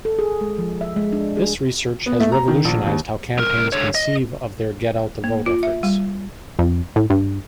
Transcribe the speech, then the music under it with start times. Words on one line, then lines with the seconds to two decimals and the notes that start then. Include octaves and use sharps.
This research has revolutionized how campaigns conceive of their get out the vote efforts.
0.05 A4
0.19 G#4
0.41 G#3
0.59 F3
0.81 E5
0.96 G#3
1.12 D4
1.37 G#4
2.06 B3
2.20 A3
2.32 A#5
2.48 D#3
2.65 A#1
2.87 D#2
3.38 C2 A#4
3.73 D3 C#5
3.95 D#5
5.24 A#3
5.46 F4
5.63 E5
5.83 G3
6.59 F2
6.96 A2
7.10 G2